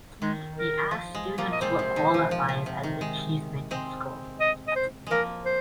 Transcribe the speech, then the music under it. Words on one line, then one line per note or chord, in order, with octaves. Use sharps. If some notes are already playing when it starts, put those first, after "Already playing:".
He asked students what qualifies as achievement in school.
D#3 G#3
A#4
F3
G#3
F3 A#3
D#5
G#3 C4 C5
C3
D#3
F3
F3
F3
C3
D#3
G#3
G#3 C4
D#5
D#5
C5
F3 G#3 A#3 A#4
C5